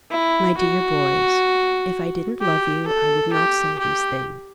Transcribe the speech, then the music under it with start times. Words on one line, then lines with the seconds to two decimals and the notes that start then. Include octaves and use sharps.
'My dear boys, if I didn't love you, I would not say these things.
0.11 E4
0.58 F#4
2.41 G4
2.87 A4
3.33 G4
3.79 G4